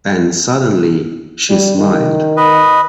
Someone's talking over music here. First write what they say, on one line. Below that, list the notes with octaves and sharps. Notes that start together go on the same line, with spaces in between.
And suddenly she smiled.
G3
D#3
B4 D#5